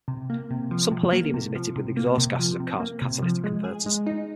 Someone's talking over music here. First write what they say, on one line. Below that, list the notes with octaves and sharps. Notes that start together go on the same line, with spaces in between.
Some palladium is emitted with the exhaust gases of cars with catalytic converters.
C3
A#3
C3
F3
C3
A#3
C3
F3
C3
A#3
C3
F3
C3
A#3
C3
F3
G#3
G#4
G#3
D#4